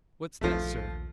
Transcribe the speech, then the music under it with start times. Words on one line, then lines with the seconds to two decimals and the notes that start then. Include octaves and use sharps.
"What's that, sir?"
0.41 A#1 D#2 F3 A3